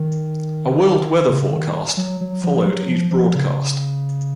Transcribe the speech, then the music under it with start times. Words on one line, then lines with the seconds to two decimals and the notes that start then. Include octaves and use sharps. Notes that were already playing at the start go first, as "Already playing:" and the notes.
A world weather forecast followed each broadcast.
Already playing: D#3
1.29 C#3
1.52 D#3
1.97 F#3
2.21 F#3
2.44 F3
2.55 F3
2.66 F#3
2.88 F3
3.11 F3
3.35 C#3